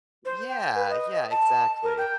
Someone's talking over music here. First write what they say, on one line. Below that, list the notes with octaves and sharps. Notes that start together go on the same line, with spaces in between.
Yeah yeah, exactly,
C5
G5
B4
D#5
A5
A#4
G5